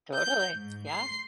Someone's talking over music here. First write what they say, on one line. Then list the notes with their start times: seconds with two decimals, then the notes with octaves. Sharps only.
Totally. Yeah.
0.14 G6
0.54 G#2
0.88 C6 C7